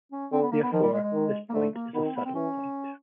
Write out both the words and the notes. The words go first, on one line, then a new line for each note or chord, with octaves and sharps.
Therefore, this point is a saddle point.
C#4
D3 C4
B3
A#3
B3
D#3 F3
G3
G#3
G#3
D#3
A#3
D3 A3
A#3
D#3 B3
C4
B3
C4
E3 C#4